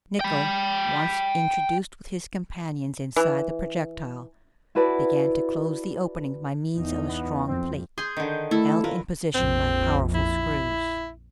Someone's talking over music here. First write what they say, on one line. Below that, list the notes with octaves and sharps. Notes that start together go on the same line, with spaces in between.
Nicholl, once introduced with his companions inside the projectile, began to close the opening by means of a strong plate, held in position by powerful screws.
G5 B5
E3
E4 F#4 B4 D5 A5
E2 D#4
B3
F2 C4
G#4 C6 G6
D3 D#3
A3 E4 A4
F4 A#4 B4
A#1 F2 C4
E4